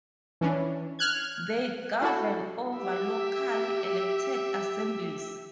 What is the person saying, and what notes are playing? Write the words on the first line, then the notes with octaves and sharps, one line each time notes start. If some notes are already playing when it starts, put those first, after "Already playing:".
They govern over locally elected assemblies.
E3 C#4 D4
F6 F#6 G#6
D4 E4 F#4 A4
G4 E5